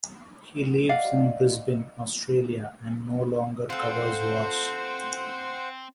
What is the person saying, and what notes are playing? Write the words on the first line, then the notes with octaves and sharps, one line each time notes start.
He lives in Brisbane, Australia and no longer covers wars.
D5 D#5 F5 F#5
C4 F4 A4 C5 F#5